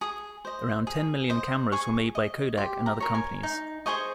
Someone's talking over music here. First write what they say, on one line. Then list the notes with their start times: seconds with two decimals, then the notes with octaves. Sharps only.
Around ten million cameras were made by Kodak and other companies.
0.01 G#4 D#6
0.45 C5 D#5
0.87 G#4
1.30 C5 D#5
1.72 G#4 C#6
2.15 D#5
2.57 G4 C6
2.86 A#5
3.00 A#4 C#5
3.15 G#5
3.43 D#4
3.86 G#4 C5 D#5 C#6